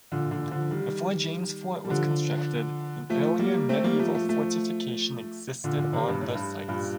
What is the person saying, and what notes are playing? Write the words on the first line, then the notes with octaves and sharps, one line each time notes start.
Before James fort was constructed, an earlier medieval fortification existed on the site.
A#2 D3
A#2 D3
D3 F3
D#3 G3
G3
D3 F3
F3 A3
G3 A#3
A3 C4
G3 A#3
F3 A3
F3 A3
F3 A3
A#2 D3
A#2 D3
C3 D#3
G2
A2
G2
G2 A#2